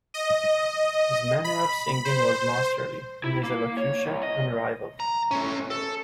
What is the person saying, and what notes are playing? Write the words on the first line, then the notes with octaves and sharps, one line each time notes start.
His manner of singing was masterly and his elocution unrivalled.
D#5
B5
C5
E4
A#3
C#5
C2
D#5
A#5
A3 C#4
A4